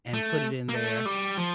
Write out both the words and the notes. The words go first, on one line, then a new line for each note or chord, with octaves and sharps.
and put it in there.
A3
A#3
A3
G3
F3